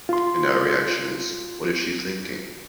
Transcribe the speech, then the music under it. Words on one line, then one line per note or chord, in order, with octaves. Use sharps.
And our reaction is 'What is she thinking?
F4 C6